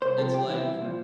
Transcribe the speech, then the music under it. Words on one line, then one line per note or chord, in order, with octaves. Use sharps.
it's like,
C2 C5
C3 F3 A4
C2 G4
C3 E3 E4
C2
A#2 F3